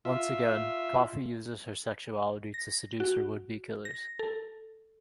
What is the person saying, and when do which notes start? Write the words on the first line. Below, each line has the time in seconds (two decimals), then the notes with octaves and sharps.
Once again, Coffy uses her sexuality to seduce her would-be killers.
0.05 F4 E5
2.54 A#6
3.00 F#4
3.85 A#6
4.19 A4